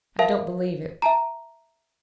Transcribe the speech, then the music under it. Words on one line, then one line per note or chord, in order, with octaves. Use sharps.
"I don't believe it!"
A#4 E5 F5 A5
E5 A5 A#5